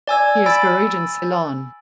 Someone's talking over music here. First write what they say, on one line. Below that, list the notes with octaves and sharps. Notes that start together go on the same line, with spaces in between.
He is buried in Ceylon.
D5 G#5 E6 G#6
G#5 B5 E6 A6 D7